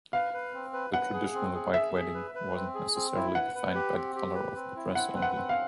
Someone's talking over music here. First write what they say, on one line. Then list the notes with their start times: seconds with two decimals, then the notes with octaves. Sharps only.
The traditional white wedding wasn't necessarily defined by the color of the dress only.
0.13 B4 F5
0.34 B4
0.54 C4
0.73 B4
0.94 B4 F#5
1.13 G#4
1.34 C4
1.54 G#4
1.74 G#4 E5
1.94 G#4
2.14 B4
2.35 B4
2.55 C4
2.75 G#4
2.95 C4
3.15 E4
3.35 B4 F#5
3.55 B4
3.74 G4
3.95 C4
4.15 G4
4.35 B4
4.55 C4
4.76 E4
4.95 C4 F#5
5.15 B4
5.22 F#5
5.36 C4
5.49 F5